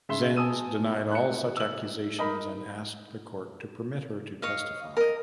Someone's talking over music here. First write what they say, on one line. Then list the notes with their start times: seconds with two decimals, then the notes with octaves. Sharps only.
Zenz denied all such accusations and asked the court to permit her to testify.
0.09 C#3 E5 C6 G7
0.36 G#5 A5 D#6 E6 D#7
1.11 F#6 C#7
1.57 E6 F#7
2.19 D#4 A#4 D#5 B5
4.42 C#5 D#5 F5
4.97 A#4 D#5